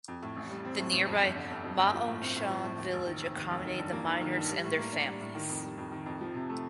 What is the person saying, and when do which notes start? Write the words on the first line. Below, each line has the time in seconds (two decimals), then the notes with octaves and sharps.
The nearby Ma On Shan Village accommodated the miners and their families.
0.08 F2
0.22 A2
0.37 A1
0.51 G3
0.65 C4
0.79 A2
0.93 A1
1.07 F2
1.22 G1
1.36 D3
1.50 G1
1.64 F2
1.78 G1
1.93 F3
2.07 A2
2.21 C4
2.36 A2
2.49 F3
2.64 A2
2.78 D#2
2.93 F1
3.07 D#3
3.21 F1
3.36 D#2
3.50 F1
3.65 D#3
3.78 G2
3.92 A#3
4.06 D#4
4.21 D#3
4.36 G2
4.49 G3
4.64 A2
4.78 A#3
4.92 D4
5.07 G3
5.21 A2
5.35 D#3
5.49 F2
5.64 G3
5.78 F2
5.92 D#3
6.06 F2
6.21 F3
6.34 C3
6.49 A3